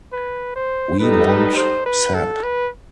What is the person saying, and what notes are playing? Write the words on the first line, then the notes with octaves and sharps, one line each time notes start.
We want Sapp!
B4
C5
G3 D#4 A4 B4
B4
C5
B4
A4
B4